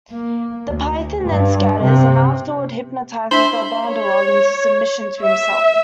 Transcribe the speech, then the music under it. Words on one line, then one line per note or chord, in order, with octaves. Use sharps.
The python then scatters, and afterward hypnotises the Bandar-log into submission to himself.
A#3
D2
G2
C3
D4 E4 C5 E5 G#5 B5
C#5
E5